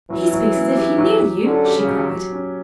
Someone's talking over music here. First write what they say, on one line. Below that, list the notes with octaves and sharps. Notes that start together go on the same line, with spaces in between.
"He speaks as if he knew you!" she cried.
E3 F#3
F#3
C#4
G4
F#3
F#3
D3 C#4
G4
C#3
F#3
F#3
C#4